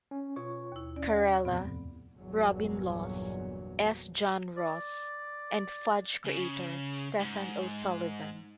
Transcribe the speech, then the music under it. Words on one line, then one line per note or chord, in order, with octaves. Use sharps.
Carella, Robin Laws, S. John Ross, and "Fudge" creator Steffan O'Sullivan.
C#4
B2 F4 C#5 C#6
D#2 E4
C#4 D5
F#5
F2 A2 C3 B3
G1 E2 A#2 F#3
D5
C#3
G#2